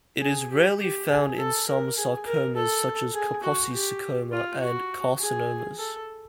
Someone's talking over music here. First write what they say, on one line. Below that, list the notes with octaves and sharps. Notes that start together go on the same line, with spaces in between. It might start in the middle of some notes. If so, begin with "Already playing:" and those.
It is rarely found in some sarcomas, such as Kaposi's sarcoma, and carcinomas.
G#4
G4
G4
G#4
A4
A#4
G#4
A#4
A4
G#4
F#4
G4
F4
F#4
G#4
A4